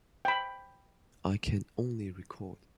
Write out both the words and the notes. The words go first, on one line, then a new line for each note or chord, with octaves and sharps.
I can only record.
G5 B5